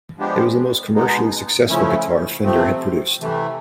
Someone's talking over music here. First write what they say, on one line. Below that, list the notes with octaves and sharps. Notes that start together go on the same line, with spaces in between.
It was the most commercially successful guitar Fender had produced.
F3 G#3 B3 D4 G4
B2 G#3 B3 D#4
C#3 F3 A3 C#4 E4
C3 F3 A3 C4
C3 E3 A3